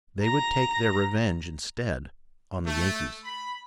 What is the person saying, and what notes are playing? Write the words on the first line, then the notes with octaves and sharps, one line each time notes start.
They would take their revenge instead on the Yankees.
A#5 A#6
A3
B5